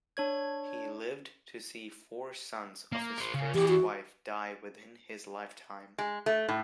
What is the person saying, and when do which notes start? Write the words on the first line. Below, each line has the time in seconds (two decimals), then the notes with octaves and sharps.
He lived to see four sons of his first wife die within his lifetime.
0.17 D4 C#5 G#6
2.92 A#3
3.18 A#4 C5
3.34 C#3
3.55 E2 E4 G4
3.68 F#4
5.98 G#3
6.26 A3
6.49 A2